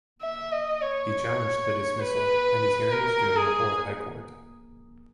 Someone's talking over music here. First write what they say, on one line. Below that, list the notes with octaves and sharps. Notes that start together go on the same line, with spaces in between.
He challenged the dismissal and his hearing was due in Lahore High Court.
E5
D#5
C#5
B4
A#4
G#4